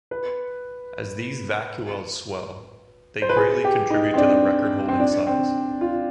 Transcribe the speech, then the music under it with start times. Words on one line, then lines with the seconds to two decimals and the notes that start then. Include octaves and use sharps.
As these vacuoles swell, they greatly contribute to the record-holding size.
0.11 B4
3.22 C5
3.29 B4
3.37 G#4
3.64 G4
3.90 D#4
4.14 C4
4.18 D4
4.88 C4
5.00 D4
5.27 C4
5.81 F4